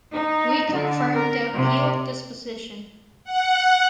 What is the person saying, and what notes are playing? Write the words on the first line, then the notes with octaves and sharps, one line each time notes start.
We confirm the appealed disposition.
D#4
D3
A#4
C3
F#5